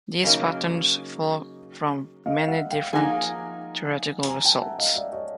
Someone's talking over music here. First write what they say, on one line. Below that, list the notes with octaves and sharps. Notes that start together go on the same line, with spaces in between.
These patterns follow from many different theoretical results.
C#3 F#3 A#3 D#4 C#5 D#5
D#5 F5
E5 F#5
F5 G5
F3 A#3 D#4 G#4 F#5 G#5
G#5 A#5
G5 A5
E5 F#5
D#5 F5
D5 E5
C#5 D#5